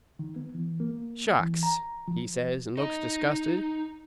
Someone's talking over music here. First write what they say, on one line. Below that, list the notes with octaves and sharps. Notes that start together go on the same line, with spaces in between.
"Shucks!" he says, and looked disgusted.
D#3
B3
E3
A#3
E3
A#5
F3
D#4